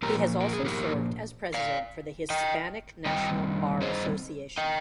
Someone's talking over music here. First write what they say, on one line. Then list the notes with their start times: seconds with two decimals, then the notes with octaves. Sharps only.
He has also served as president for the Hispanic National Bar Association.
0.03 A#2 F3 A#3 G4 A#4
0.40 A#4
0.53 G#4
0.65 G4 A#4
1.54 D5 F5
2.30 D#5 G5
3.06 D#3 G3 C4 D#5 G5
3.82 C5 D#5
4.58 D#5 G5